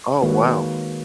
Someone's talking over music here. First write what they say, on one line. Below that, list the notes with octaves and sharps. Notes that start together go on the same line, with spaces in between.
Oh, wow.
D#3 G#3 A#3 F#4 B4 C#5